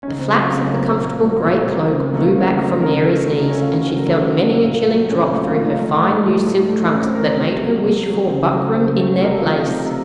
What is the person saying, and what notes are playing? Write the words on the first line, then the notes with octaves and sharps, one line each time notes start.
The flaps of the comfortable great cloak blew back from Mary's knees, and she felt many a chilling drop through her fine new silk trunks that made her wish for buckram in their place.
C#4
C#3 D#4
C4
F#3 A3 D#4
F4
C#3 C4
C#4
A#3
F#3 A3 C4
A#3
A#2
F#3 A3
A#3
A#2 C4
F#3 A3 A#3
C#3 C4
F#3 A3 A#3
A#3
C#3 C4
F#3 A3 D#4
D#4
C#3 A#4
A3 A4
C#3 F#4
D#4
A3 C#4
F4
C#3 F#4
C5
F#3 A3 A#4
A4
C#3 F#4
F#3 A3
A#2 F4
F#3 A3
A#2 C#4
C4
F#3 A3 C#4
F4
A2 F4
D#4
F3 A3 F4
D#4
A2 D#4
F3 A3
A2
A3
D#4
A2 C#4
C4
A3 A#4
C#5
C3
F#3 A3
C3
F#3 A3
C#3 C5
F#3 A3
C#3 C5
F#3 A3 C#5
C3 A#4
A4
F4
F3 A3 D#4
C3 D#4